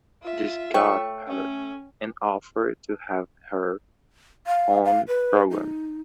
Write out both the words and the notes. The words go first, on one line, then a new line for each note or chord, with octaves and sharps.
This got her an offer to have her own program.
F4 E5
A3 C#5 G5 C#6
C#4
F5
F5
B4
D#4